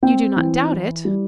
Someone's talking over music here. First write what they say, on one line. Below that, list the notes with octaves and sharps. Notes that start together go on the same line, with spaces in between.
"You do not doubt it?"
C4 G5
E3
E4
G3